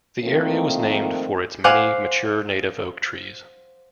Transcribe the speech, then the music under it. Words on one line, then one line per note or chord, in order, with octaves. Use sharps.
The area was named for its many mature native oak trees.
D#3 F3 A3 A#3 C4 A#4
C5 F5 F#5 G#5 D6